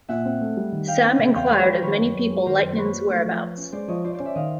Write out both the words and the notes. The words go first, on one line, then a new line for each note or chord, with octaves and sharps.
Sam enquired of many people Lightnin's whereabouts.
A#2 E5 F#5
C4
A3
G3
D#3
D#4 F5 G5
C4
C#3
E2 F5 G5
G#3 C5 D5
B4 C#5
F3
A#4 C5
D#3 B4 C#5
F#2
F#2
G#3
D#3 A#4 C5
F#2
A#3 B4 C#5
F#3
A3
F3
F4
C#4
G#3 C5 D5
F3 C#5 D#5
F4 C5 D5
C5 D5
C#4
D5 E5
D#3 D#5 F5